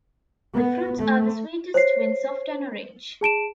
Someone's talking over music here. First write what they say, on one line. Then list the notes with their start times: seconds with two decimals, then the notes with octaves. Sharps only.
The fruits are the sweetest when soft and orange.
0.55 B3
1.00 A3
1.74 C5 C#5 C7
3.21 G#4 A5 D7 E7